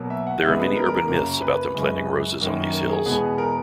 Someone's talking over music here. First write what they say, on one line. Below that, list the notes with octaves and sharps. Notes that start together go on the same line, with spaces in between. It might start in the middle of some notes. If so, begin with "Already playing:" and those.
There are many urban myths about them planting roses on these hills.
Already playing: B2 F#3 A#3
E5
F#5
C#3 G#3 B3 E5
B4
A#4
A#4
A#4
F#2 C#3 F#3 A#3 A#4
B4
F#2 C#3 G#3
F#2 D#3 F#3 A#3
A#4
G#4
E2 B2 G#3 B3 G#4
A#4